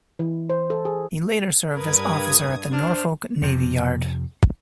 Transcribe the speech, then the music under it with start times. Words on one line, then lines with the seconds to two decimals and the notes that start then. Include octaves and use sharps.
He later served as Officer at the Norfolk Navy Yard.
0.19 E3
0.50 C5
0.70 A4
0.85 G#4
1.73 G2 A#4 B4 D#6 G#6
2.72 D4 C5 F6
3.42 F2 C3